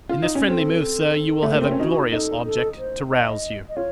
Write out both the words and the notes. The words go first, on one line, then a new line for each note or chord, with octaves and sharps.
In this friendly move, sir, you will have a glorious object to rouse you.'
F4
D#4
C#4
C4 A4
A3
A#3
C4
C#4
D#4 F#4
D#4 A4
A4
C5
D#5
D#5
F4 C#5